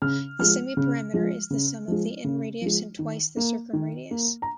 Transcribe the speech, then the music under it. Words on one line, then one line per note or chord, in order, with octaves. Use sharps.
The semiperimeter is the sum of the inradius and twice the circumradius.
C#3 F6
F3 G#3 F6
C#3
F3 G#3
C#3
F3 G#3
C#3
F3 G#3
D#3
A#3
D#3
A#3
A#5